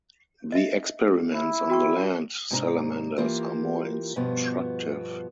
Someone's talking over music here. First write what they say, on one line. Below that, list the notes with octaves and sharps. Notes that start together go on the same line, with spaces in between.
The experiments on the land salamanders are more instructive.
D#5 E5
E4
F#4 G5 C#6
G#2 C3 D4 G#5 A#5
E3 A#3 F4 G4 A#4
G2 B2 F3 B3